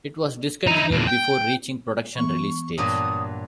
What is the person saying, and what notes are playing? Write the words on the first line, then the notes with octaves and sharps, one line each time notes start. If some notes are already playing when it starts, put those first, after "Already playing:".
It was discontinued before reaching production release stage.
D#4 E4
E2 A#2
G5
E3 B3 C#6
G2 A#2 F#3 D#6